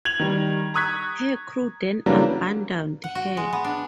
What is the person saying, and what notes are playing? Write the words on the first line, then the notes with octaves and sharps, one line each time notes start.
Her crew then abandoned her.
G#6 F7 F#7
D#3 G3
A#5 C#6 D#6 F#6 G#6 B6
C#3 E3 F#3 G3 A#3 D4
F#5
F#4
G#3
B3
D4